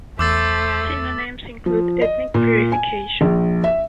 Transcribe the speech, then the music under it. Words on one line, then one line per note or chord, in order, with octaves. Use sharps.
Synonyms include "ethnic purification".
E2 A3 C5 D6 E6 A6
F3
D#5
A#2
G#5
A#1
E5